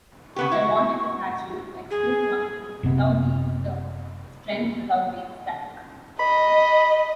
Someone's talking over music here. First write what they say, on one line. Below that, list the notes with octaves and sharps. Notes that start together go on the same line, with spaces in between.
I wanted the statue to express confidence without being stern, strength without being static.
C#3 B3 G4 C#6
E4 F#4
G#4
F#1 C3 B3 C4
D#5 B5